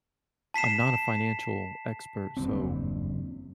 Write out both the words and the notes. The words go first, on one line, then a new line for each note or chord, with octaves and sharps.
I'm not a financial expert, so
A5 B6 C7 E7
F#1 E2 G2 C4